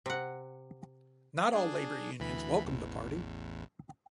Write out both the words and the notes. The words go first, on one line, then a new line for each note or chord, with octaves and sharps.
Not all labour unions welcomed the party.
C3 F#5
D4 G#4
D2 E3 B5
A1 E2